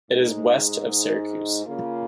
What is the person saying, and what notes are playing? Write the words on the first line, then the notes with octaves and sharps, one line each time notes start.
It is west of Syracuse.
G#2 G#3 D#4
C#3 A#3 F4